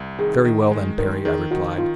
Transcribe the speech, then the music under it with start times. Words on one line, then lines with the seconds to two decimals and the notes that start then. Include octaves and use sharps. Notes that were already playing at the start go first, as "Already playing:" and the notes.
"Very well then, Perry." I replied.
Already playing: C2
0.19 D#3 G#4
0.45 D#3
0.72 G#3
0.98 D#3 A#4
1.25 D#3 G#4
1.51 D#3 F#4
1.78 F4